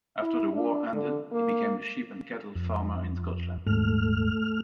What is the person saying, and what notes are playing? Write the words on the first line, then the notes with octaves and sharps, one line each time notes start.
After the war ended he became a sheep and cattle farmer in Scotland.
E4
D4
D3
A#3
F2
D#1 G#2 A3 F6